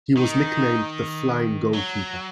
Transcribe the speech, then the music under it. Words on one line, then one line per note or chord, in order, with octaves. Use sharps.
He was nicknamed the "Flying goalkeeper".
D#3 D#4
F#3